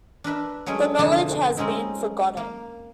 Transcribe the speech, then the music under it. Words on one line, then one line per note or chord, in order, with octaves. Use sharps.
The knowledge has been forgotten.
D4 A#4 B4 E5
F#3 G#3 A3 C#4 G#4
F2 B2 D3 D4 G#4 A5
G#3 C4 C#4 D#4 E4
A#3